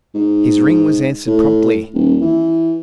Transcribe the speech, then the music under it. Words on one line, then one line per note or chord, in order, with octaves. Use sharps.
His ring was answered promptly.
G#2
A2
D#1
E3